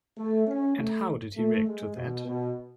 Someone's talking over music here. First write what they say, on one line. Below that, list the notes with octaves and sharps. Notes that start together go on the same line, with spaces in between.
And how did he react to that?
A3
C#4
A3
A3
G#3
B2
B2